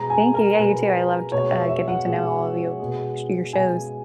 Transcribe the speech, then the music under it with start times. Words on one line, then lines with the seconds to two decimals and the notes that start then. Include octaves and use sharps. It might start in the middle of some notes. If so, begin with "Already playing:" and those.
Thank you, yeah, you too, I loved, uh, getting to know all of you sh your shows.
Already playing: B2 G#3 A#5
0.10 G#5
0.34 A#4
0.59 B2 G#3 B4
1.32 B2 G#3 C#5
1.51 E5
1.69 E5
1.88 F#5
2.06 B2 G#3
2.79 B2 G#3
3.53 B2 G#3 G#5